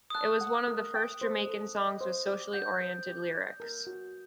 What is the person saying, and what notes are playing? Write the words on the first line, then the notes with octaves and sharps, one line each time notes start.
It was one of the first Jamaican songs with socially oriented lyrics.
D#6
A5 F#6
F#5
A#4
G5
C5
A4
D#5
C5
G4
F#5 G6
C5
G4
D5
A#4
F#4